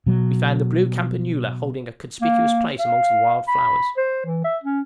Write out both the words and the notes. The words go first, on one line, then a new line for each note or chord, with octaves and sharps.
We found the blue campanula holding a conspicuous place amongst the wild flowers.
B2 F#3
A#3
F5
B5
C5
E3
E5
C#4